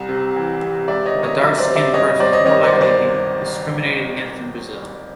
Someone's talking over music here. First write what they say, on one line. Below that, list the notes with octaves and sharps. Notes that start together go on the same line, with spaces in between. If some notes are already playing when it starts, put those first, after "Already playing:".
A dark-skinned person is more likely to be discriminated against in Brazil.
Already playing: C2
C3
E3
C3
C#2 D5 E5
C#5 D#5
D#3
C#5 D#5
F#3 D5 E5
C5 D5
C3
D5 E5
G1 C#5 D#5
G1 C5 D5
C#5 D#5
D#3 C#5 D#5
C5 D5
G1
C5 D5